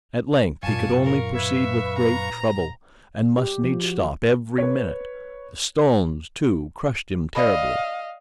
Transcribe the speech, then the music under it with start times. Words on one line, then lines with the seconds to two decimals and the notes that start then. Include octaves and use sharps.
At length he could only proceed with great trouble and must needs stop every minute; the stones, too, crushed him terribly.
0.63 F#2 A#2 F5 G#5 A5 C#6 A6
1.04 A#4
1.35 B4 E5 G#6
1.98 A#5
3.38 G4
3.64 F3
3.84 F#4
4.58 B4 C#5
7.35 D5 D#5 F5 B5